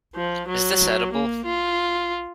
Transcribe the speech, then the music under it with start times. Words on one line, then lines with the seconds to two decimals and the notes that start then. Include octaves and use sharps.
Is this edible?
0.16 F3
0.48 F#3
1.12 A#3
1.45 F4